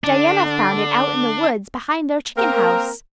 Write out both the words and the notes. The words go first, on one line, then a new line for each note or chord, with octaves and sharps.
Diana found it out in the woods behind their chicken house.
D3 D4
A#3 C4 A#4